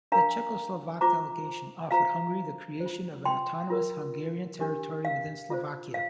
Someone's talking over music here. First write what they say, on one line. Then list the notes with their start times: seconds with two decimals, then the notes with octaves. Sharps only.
The Czechoslovak delegation offered Hungary the creation of an autonomous Hungarian territory within Slovakia.
0.12 D4 A#4 F5 A#5
1.01 D4 F4 C5 A#5 D6
1.91 F4 C5 F5 A#5
2.80 C5
2.86 F4
3.25 G5 C6
3.70 F4 A#4
4.60 D4 G4 A#4
5.05 F5
5.50 F4 C5
5.94 F5